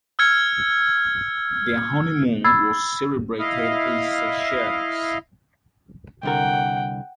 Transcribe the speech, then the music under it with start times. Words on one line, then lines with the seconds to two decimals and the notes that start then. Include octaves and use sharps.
Their honeymoon was celebrated in Seychelles.
0.19 E6 F6 G#6 C#7
2.44 B5 E6 G#6 A6 C7
3.39 E4 D#5 F5
6.23 C2 D3 A#4 F#5 G5